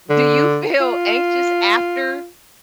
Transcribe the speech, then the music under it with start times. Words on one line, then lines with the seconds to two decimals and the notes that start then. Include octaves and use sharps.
do you feel anxious after?
0.10 D3
0.80 F4